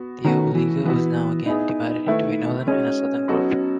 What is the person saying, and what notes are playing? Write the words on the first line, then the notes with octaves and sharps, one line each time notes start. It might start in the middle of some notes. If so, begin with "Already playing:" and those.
The "Oberliga" was now again divided into a northern and a southern group.
Already playing: B3 F#4
B2 D#3 A3 C#4 F#4 B4
E3
E3 B3 F#4 B4
B3 D#4 E4 G#4
D#3 A3 E4 B4 E5
G#3 C#4 D#4 F#4
F#3 B3 D#4 F#4 A4